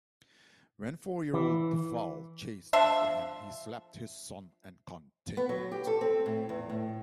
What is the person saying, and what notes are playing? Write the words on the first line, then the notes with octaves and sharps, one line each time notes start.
When four-year-old Deval chased after him, he slapped his son and continued.
E3
F3 D4 C5 E5
B3
F#3
G4
A4
C4
A2
E2
A2